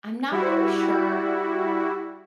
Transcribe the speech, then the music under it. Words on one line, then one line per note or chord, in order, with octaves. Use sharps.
I'm not really sure.
G3 E4 F#4